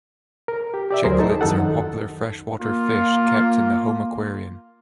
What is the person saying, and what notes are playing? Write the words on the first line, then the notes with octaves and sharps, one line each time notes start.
Cichlids are popular freshwater fish kept in the home aquarium.
A#4
G4
G4 D5 E5
D2 F#3 G#4 A#4 C5
D#4 A4 A5
F#2 D#3 D#4 A4 F#5
A#3 F4